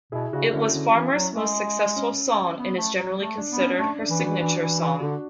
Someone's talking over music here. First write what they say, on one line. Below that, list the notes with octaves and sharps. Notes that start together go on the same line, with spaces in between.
It was Farmer's most successful song and is generally considered her signature song.
B2 E4 G#4
C#3 D4 F#4
D3 C#4 E4
D3 C#4 E4
E3
F#3
G#3
C#4
B3
A3
F#3
A3
D4
B3
C#4
A3 D4
D4
E3
D4 F#4
E3
E3 D4
E3
E3
D3 D4 F#4